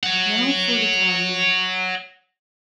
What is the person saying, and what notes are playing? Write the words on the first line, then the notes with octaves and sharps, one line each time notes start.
Now for the Cardinal.
C#5 F#5